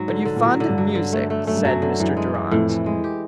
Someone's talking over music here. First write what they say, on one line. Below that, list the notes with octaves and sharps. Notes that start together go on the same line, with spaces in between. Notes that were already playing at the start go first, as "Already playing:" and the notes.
"Are you fond of music?" said Mr. Durrant.
Already playing: G#2 F#3
D3
D3
A#2
A2 F#3
D3
G2
F#3
D3
A3
A3
F#2 A3
G2
F#2 F#3
D3
F#2 E3
G#3
E3
F2 A2
E3
G#3
G4